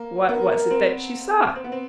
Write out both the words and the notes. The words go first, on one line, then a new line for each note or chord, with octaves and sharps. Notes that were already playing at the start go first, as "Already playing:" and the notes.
What was it that she saw?
Already playing: A#3
B3 A#4
C4
C4
B3
C4